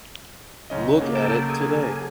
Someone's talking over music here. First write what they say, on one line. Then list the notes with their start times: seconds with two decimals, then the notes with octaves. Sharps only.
Look at it today.
0.70 C#2 F#3 C#4 D#5
1.01 C#3 A#3
1.15 A4 G5 A5
1.49 G#4 A4 G#5